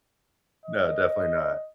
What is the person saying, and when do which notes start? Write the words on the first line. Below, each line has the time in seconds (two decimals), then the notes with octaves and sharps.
no, definitely not,
0.65 D#5